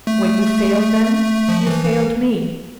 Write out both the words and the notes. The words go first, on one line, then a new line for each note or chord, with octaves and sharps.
When you failed them, you failed me.
A3
F3
E3
E3